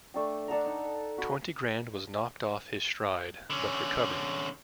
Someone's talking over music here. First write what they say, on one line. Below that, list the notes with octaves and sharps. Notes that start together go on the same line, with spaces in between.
Twenty Grand was knocked off his stride but recovered.
A3 D4 G5
D4 A4 F#5 A#5
D#4
F#4 B5
D3 C#4